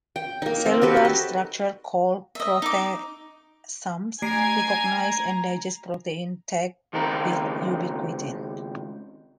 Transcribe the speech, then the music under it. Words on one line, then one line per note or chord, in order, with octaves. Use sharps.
Cellular structures called proteasomes recognize and digest proteins tagged with ubiquitin.
G5
A#3 D#4
C4
F#4 G4 A4 B4
D#5
D#5 E5
D#4 D6
A3 G#5 A#5 G#6 C7 D7
C#2 D#3 C4 A#4 A#5